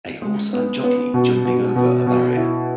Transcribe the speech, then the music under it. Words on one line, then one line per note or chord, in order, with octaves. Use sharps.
A horse and jockey jumping over a barrier.
G#3
B3
B3
B2
B2
B2
B2
E4